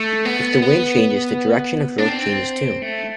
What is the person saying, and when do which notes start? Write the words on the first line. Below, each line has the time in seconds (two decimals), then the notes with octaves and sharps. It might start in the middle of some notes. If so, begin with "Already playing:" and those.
If the wind changes, the direction of growth changes too.
Already playing: A3
0.25 B3
0.62 B3
1.98 D4
2.09 C4
2.82 A3